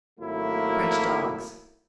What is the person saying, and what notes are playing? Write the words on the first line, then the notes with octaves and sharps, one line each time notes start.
"French dogs!"
G#1 F#3 A3 A#3 E4